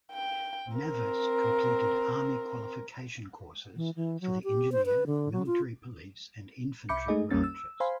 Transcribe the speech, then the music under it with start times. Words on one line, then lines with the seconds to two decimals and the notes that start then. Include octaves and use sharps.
Navas completed Army qualification courses for the Engineer, Military Police, and Infantry branches.
0.13 G5
0.72 C4 A#4
3.76 E3
3.96 E3
4.21 F#3
4.44 G4
4.72 C5
4.86 B4
5.07 D3
5.32 F#3
5.46 F4
6.89 C2 E5 B5 D6 G6 C#7
7.08 G#3 A3 D#4 G#4 D#5
7.31 A#1 F2 G3 A#3 C#4 A6
7.44 E6
7.80 C5 F5 G#5 B5 C6